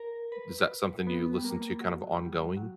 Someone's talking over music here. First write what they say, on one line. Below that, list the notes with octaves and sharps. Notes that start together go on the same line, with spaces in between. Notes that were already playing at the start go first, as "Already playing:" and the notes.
is that something you listen to kind of ongoing?
Already playing: A#4
B4
B3
G3
A#3
F#3
G3
F#3